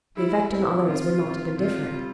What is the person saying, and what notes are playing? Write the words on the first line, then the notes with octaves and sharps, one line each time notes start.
The effect on others would not have been different.
G3 E4
C4 E4
C3 F4
C3
C3 F4
G3